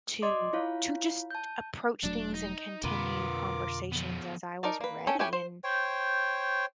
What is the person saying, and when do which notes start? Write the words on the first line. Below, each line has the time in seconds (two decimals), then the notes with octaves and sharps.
to to just approach things and continue conversations as I was ready, and
0.22 D5 D#5 C6 D6
0.53 E4 F4 C#5 F5
1.31 A5 G6
2.04 E1 F#3 A3 D4
2.34 D#4
2.84 F2 B2 D3 A#3 F4 A#4 B4 D6
3.93 F3 B3
4.63 D#4 A#4 D5 A5
4.81 A#3 B4
5.07 C#4 A4 G5
5.19 E4 G4 B4 C#5 G#5
5.33 C5
5.64 C5 C#5 G5